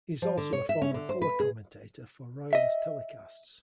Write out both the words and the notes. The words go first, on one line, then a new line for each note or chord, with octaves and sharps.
He is also a former color commentator for Royals telecasts.
F3
D3
C#5
E5
C#4
D3
C5
B4
G#4
D#5 E5